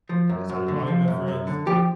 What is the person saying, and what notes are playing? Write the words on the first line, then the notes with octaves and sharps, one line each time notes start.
and that's how your mommy met friends,
F3
F#2
F#2
D3
F3
F#2
F#2
D3
F3 G4